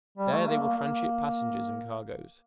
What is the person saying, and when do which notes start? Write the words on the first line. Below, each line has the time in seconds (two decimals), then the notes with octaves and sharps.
There they will tranship passengers and cargoes.
0.17 G3
0.32 A3
0.47 A#3
0.62 A#3
0.77 A#3